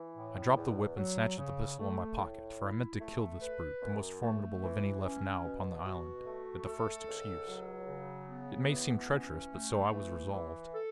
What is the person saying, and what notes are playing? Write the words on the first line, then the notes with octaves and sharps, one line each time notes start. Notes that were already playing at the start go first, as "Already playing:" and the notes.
I dropped the whip and snatched at the pistol in my pocket; for I meant to kill this brute, the most formidable of any left now upon the island, at the first excuse. It may seem treacherous, but so I was resolved.
Already playing: E3
A2
E2
F#3
C#3
A3
A2
E4
A3
B4
F#2
A3
E3
C#4
B2
F#4
A3
A4
C#2
F#3
C#3
B3
E3
C#4
A3
E3
E3
A4